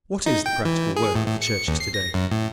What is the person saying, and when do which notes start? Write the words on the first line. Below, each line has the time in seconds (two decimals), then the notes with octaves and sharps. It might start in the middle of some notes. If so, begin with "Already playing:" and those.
What is the practical work of the churches to-day?
0.26 D#4
0.46 G5
0.65 E3
0.96 G#4
1.15 A2
1.27 A2
1.42 C#7
1.67 D#2
1.80 C7
1.94 A#6
2.14 F#2
2.32 A2